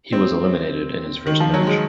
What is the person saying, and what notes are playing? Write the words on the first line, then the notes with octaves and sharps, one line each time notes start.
He was eliminated in his first match.
C4
D#3
F3
F#3
G#3